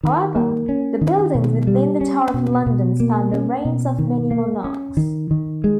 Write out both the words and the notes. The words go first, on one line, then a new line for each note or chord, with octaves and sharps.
However, the buildings within the Tower of London span the reigns of many monarchs.
D#3
A#3
C#4
D#3
B2
G3
C#4
B2
B2
A#3
C#4
B2
D#3
A#3
C#4
D#3
D#3
G#3